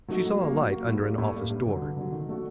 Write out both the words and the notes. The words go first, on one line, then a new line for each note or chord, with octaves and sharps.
She saw a light under an office door.
F#3 A3 D#4 F#4
F#3
A#3 F#4
F#3
A#3 F#4
A2
G3 A#3
A2
G3 A#3
G2
D3 F#3
G2
D3 F#3
D#3
A3 D4 F#4